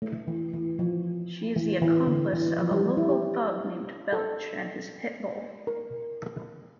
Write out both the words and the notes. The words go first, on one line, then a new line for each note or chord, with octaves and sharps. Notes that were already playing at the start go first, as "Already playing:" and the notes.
She is the accomplice of a local thug named Belch and his pit bull.
A3
E3
E3
F3
E3
E3
D3
E3
F3
G3
E4
G4
A4
A#4